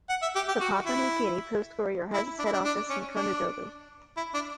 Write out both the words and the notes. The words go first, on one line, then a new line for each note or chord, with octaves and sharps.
The "Papua New Guinea Post-Courier" has its head office in Konedobu.
F#5
E5
G4
G4
F#4
E4
E4
D4
E4
D4
D4
C#4
D4
E4
D4